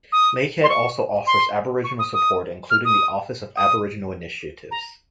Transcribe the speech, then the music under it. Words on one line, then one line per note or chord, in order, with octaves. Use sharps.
Lakehead also offers Aboriginal support including the Office of Aboriginal Initiatives.
D#6
C6
C#6
C6
C#6
D#6
D#6
F6
D#6
D#6
A#5